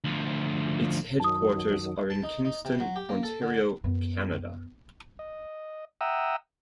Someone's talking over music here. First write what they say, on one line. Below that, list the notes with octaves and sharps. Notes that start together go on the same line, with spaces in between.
Its headquarters are in Kingston, Ontario, Canada.
D2 F3
F#2 D#3 F#3 A5 D#6
A5
D#4
D#4
C3
F#3
G4
A#3
A4
D3
F#2 B3
D#5
E5 F#5 G5 A#5 D#6 E6